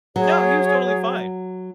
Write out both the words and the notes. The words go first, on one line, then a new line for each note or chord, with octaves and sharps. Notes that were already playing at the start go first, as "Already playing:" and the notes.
No, he was totally fine.
F#3 G#4 C#5